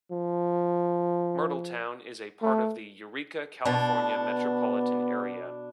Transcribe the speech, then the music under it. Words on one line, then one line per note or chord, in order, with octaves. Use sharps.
Myrtletown is a part of the Eureka, California metropolitan area.
F3
A3
B2 D4
B3